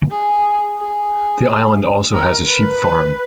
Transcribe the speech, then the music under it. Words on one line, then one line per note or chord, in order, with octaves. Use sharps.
The island also has a sheep farm.
G#4
G#4
A#4
B4